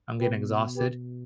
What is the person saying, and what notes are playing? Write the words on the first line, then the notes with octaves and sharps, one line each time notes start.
I'm getting exhausted,
B2 G4 B4
G4 B4